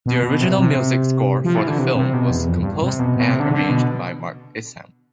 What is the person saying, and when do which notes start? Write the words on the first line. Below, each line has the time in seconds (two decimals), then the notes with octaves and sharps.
The original music score for the film was composed and arranged by Mark Isham.
0.06 B2
0.23 B2
0.41 C3
0.58 C3
1.45 F3
1.56 E3
1.67 D3
1.79 C3
1.96 C3
2.13 B2
2.31 E2
2.48 F2
2.59 G2
2.83 C3
2.99 B2
3.17 B2
3.28 C3
3.40 D3
3.51 D3
3.69 B2